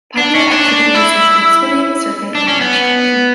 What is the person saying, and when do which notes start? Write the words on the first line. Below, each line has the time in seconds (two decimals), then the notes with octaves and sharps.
Popular activities include swimming, surfing, and beachcombing.
0.17 D4
0.35 C#4
0.51 D4
0.68 D4
0.95 E4
2.35 D4
2.48 C#4
2.61 B3